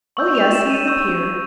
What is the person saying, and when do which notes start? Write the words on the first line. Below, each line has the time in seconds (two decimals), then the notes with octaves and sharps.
"Oh, yes, he is a peer."
0.17 C#6 E6 G6 F#7
0.35 F7
0.52 E7
0.70 D#7
0.87 C#6 E6 G6